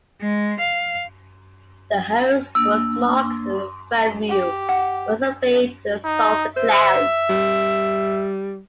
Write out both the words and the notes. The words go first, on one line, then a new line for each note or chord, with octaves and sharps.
The host was Marc Favreau, who also played Sol the Clown.
G#3
F5
A#3 D4 E6
G4
F#5
D#4
C5 E5
G3